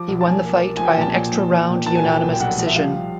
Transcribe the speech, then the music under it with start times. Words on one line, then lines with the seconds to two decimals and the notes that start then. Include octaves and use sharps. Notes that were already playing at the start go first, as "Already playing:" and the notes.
He won the fight by an extra round unanimous decision.
Already playing: F3 D6
0.08 B1
0.21 A5
0.26 F3 G#5
0.44 A#3
0.61 A#3
0.77 F3 G#5
0.85 G5
0.97 A#2 A5
1.09 G#5
1.15 A#2
1.32 F3
1.51 A#2
1.69 A#2
1.86 A#3 A5
1.95 G#5
2.04 A#2 G5
2.22 B1
2.32 G5
2.40 B1 F#5
2.58 F3
2.66 E5
2.76 G3 F5
2.94 G3